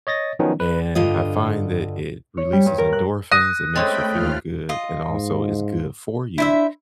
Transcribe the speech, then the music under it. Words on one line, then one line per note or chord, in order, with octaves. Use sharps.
and I find that it releases endorphins, it makes you feel good, and also is good for you
C#5 D#5 A6 A#6
D#3 F3 F#3 B3 C#4 D#4
B4
G2 D3 F4 D#5
C#5
G3
G2
A#4
F#6
D#6 F#6 A#6 D#7
G#3 A3 C4 C#4 G5 B5 A6
D#2 F4 F6
F4 D#5
G#2
D4 E4 C5 E5